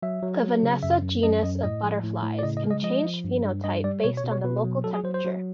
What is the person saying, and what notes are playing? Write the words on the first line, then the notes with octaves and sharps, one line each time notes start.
The "Vanessa" genus of butterflies can change phenotype based on the local temperature.
F#3 E5
F#3
F#3
C#3
F#2 E5
F#2
F#2 D#5
F#2 D#5
A2 D#5
F3
A2
A2
D5
C#3 D#5
D#5
G#3
D#5
F3 D#5
F3
G2
G2
G2 D#5
G3 D5
B2 C#5
C#5
B2
C#5
B2 B4
F#3
F#3 A4
G#4
F#3 C5
C5
F#3